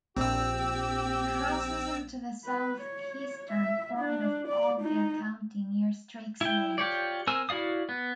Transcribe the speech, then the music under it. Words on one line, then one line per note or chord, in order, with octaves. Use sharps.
It crosses into the southeastern corner of Alger County near Straits Lake.
A#1 C4 G4 E6
B4
C#5
E5
D4
D5
D#4
E4 G5
F4 G4 C#5 D5
C4 A#4 G#5 E6
E4 F#4 D5 F5 D#6
B3